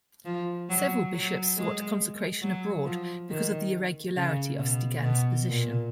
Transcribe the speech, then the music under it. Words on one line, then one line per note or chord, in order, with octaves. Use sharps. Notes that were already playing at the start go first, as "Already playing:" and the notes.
Several bishops sought consecration abroad because of the irregularity of Stigand's position.
F3
F#3
F#3
G#3
F#3
F3
D#3
C#3
B2
B2
A#2